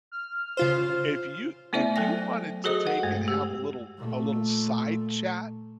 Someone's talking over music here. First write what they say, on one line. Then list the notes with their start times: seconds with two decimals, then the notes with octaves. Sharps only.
if you if you wanted to take and have a little a little side chat
0.12 F6
0.57 C#3 F4 C5
1.73 A3 B3 E4 C5 D5 E5
1.96 F#3 A4 G5 G#5 A#6
2.64 F#4 G#4 A4 C5 D#5 D#6
2.87 F#5
3.03 G2 G#3 A3
3.28 G4
3.97 A#2 A3